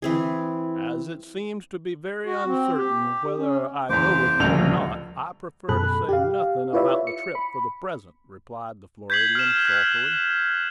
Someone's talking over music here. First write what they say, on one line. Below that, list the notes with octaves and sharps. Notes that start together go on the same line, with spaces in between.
"As it seems to be very uncertain whether I go with you or not, I prefer to say nothing about the trip for the present," replied the Floridian, sulkily.
E3 C4 G#4
F#4
C4
G4
C#4
F#1 E2 C5 D6
D#1 D2 C#3 F3 G3 F7
F#2 B2 G#4 A4 B5 F#6
G4 F5
E4 F4 B4 C#5 D5 E5
C#7
B5
G6 G#6 B6 C7 F#7
F6 E7
F6 F#6 B6